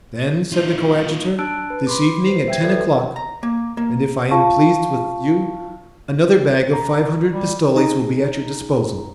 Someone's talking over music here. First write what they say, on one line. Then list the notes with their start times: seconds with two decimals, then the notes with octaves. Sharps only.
"Then," said the coadjutor, "this evening, at ten o'clock, and if I am pleased with you another bag of five hundred pistoles will be at your disposal."
0.52 D#4 F4
1.39 D4 A5 E6 F#6 D7
1.70 B4
1.87 B5 C6 D6
2.26 B4 C5 C7
2.48 E5 G5 G#6
2.63 A4 B4 C#5 D5 E5
3.16 A#5
3.43 A#3
3.77 A#3
4.31 F4 F5 A5 C#6
6.73 A#5
7.33 G3
7.75 D#4 G#4 A#5